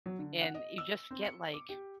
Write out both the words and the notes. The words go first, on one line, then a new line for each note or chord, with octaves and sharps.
and you just get like,
F#3
D3
F#5
D#5
E6
C4
C#7
D6
G4